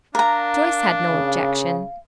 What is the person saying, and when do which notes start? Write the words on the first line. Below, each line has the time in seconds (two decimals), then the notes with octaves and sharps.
Joyce had no objection.
0.15 D4 A#4 F5 A#5
1.10 C#3